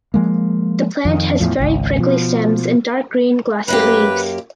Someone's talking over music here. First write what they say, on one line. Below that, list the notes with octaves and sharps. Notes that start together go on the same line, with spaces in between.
The plant has very prickly stems and dark green glossy leaves.
F3 G#3 A#3
F2 D#3
E2 A2 F3
G#1 C#2
B2 F3
F#2 A#3 G4 B4